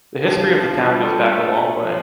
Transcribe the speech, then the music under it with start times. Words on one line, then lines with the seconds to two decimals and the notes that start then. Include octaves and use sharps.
The history of the town goes back a long way.
0.24 F3 D4 G4
0.50 F3 D4
0.77 G3 F4
1.03 G3 F4 A4
1.30 A3
1.83 F3